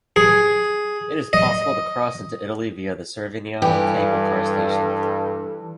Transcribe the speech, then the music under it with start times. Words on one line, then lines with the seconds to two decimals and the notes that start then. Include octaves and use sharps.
It is possible to cross into Italy via the Cervinia cable car station.
0.16 G#4
1.33 D#5
3.62 G2 E3 G4 A4